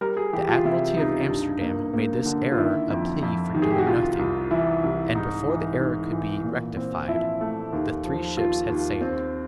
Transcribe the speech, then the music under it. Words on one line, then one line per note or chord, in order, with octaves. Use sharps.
The Admiralty of Amsterdam made this error a plea for doing nothing; and, before the error could be rectified, the three ships had sailed.
G3 A#4
G#4
E3 G4
F4
C3 E4
C#2 D#4
G2
A#3
A#3
D3
F4
D#3 E4
F2
F2
D#3
G#4
G4
F#4
C2 F4
C2
E3 E4
C2
G#2 D#4
E3
G#2
E3
A#2
C4
F3 E4
A3
D#2
F3
D#2 F4
D#2
C4